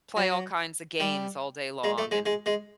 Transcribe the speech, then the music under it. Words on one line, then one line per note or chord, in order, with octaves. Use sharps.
play all kinds of games all day long and
F#3
G3
G#3
A3
G#3
G#3
G#3